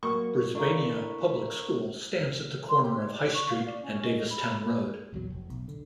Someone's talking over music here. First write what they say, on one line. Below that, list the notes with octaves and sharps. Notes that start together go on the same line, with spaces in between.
Brisbania Public School stands at the corner of High Street and Davistown Road.
F#3 A#3 C#6
A3 A#3 D4 E4
C6
G4
C#5
D5
C#6
F5
D5
C#4
D#5
B5
A#1 E2 E3 F#3
F1
B1
D3